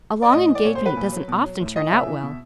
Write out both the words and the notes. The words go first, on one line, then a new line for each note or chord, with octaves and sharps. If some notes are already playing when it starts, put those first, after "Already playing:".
A long engagement doesn't often turn out well.
D5
A2 D#5
E3
D5
A#2 C#5
C5
F#3 B4
A#2
F#3
B2
F#3
A2
E3 D#5
C#3 E5
E3
B2